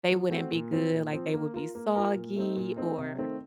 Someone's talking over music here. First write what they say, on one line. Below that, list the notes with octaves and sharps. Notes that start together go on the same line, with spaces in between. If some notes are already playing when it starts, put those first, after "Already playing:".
they wouldn't be good, like, they would be soggy or
F3
A3 C4 F#4 C5
A#2
F3 C4
A#2
F3 C4
A#3
F4 A#4
A#3
F4 A#4
A#2
A3 C4 D#4
A#2
A3 C4 D#4
C3
D#3 A3 C4